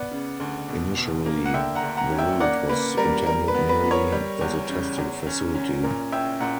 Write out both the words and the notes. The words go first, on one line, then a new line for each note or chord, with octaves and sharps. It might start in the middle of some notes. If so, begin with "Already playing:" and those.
Initially, the route was intended merely as a testing facility.
Already playing: B3 D5 F#5
C#3
D2
B2
B2
A#3
F#5
D3 E5 G5
F#5 A#5
D2
F#5 A#5
C#4
E5 G5
A#3 D5 F#5
A#3 B4
G3 A#4
G3 A#4
B4
B3
B4
B3
A#4 C#5
G3
E2
C#3
E2
C#4
C#4
A#2 A#4
C#4 E5 G5
A#2 F#5 A#5